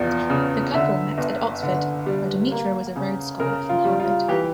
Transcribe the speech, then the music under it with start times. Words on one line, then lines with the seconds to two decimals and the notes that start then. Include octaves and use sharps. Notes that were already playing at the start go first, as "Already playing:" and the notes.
The couple met at Oxford, where Demetra was a Rhodes Scholar, from Harvard.
Already playing: E2 F3 D5
0.30 C#3
0.74 D3 E5
1.18 G1
1.63 D3
2.06 G3
2.51 A#3
2.96 C#3
3.40 C#3 A#4
3.69 F4
3.85 G3
4.00 F4
4.29 E3 G4